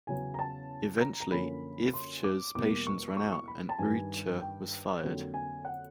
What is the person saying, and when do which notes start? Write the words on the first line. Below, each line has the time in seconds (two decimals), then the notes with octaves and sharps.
Eventually, Ivcher's patience ran out, and Urrutia was fired.
0.07 E2 C#3 F#3 B3 G#5
0.34 A#5
0.39 A5
1.01 A#5
1.20 A#5
1.31 F#2 D3 F3 A#3 C#4 B5
1.94 C6
2.24 D6
2.55 E2 B2 G3 A#3 D6
2.87 C#6
3.17 C#6
3.32 C#6
3.48 B5
3.69 A5
3.79 G2 D#3 G3 G#5
4.41 G5
5.03 F2 D3 F#3 A#3
5.34 G#5
5.65 F#5